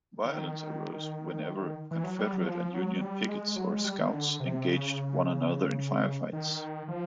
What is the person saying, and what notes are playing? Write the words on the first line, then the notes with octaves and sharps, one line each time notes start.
Violence arose whenever Confederate and Union pickets, or scouts, engaged one another in firefights.
D#3
E3
F#3
G3
F#3
F3
F#3
G3
G#3
F#3
G#3
G3
D#3
D3
C3
C#3
D#3
F3